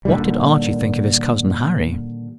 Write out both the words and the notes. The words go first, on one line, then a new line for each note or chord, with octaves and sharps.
What did Archie think of his cousin Harry?
A#2 D3 D#3 G3